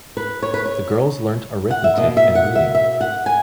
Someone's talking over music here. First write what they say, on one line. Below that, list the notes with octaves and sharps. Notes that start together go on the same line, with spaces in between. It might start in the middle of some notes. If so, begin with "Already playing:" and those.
The girls learnt arithmetic and reading.
B4
C#5
B4
C#5
F#5
E5
B2 A#3 D#5
E5
F#5
E5
E5
F#5
G#5